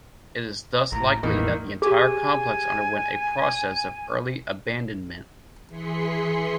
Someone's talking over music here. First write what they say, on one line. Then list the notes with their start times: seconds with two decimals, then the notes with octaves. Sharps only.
It is thus likely that the entire complex underwent a process of early abandonment.
0.92 G#1 A2 A#5
1.23 A1 E2 A2 D#3 E3 A#3
1.82 G4 G#4 G#5
5.68 E3 G#4 C6 B6 C#7